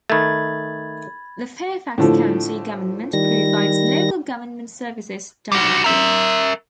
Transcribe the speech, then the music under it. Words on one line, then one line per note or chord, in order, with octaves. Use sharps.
The Fairfax County Government provides local government services directly.
D#3 A3 B5 G#6 A6
A2 D3 F3
D#3 G3 A#6
G3 F#4
A#4 E5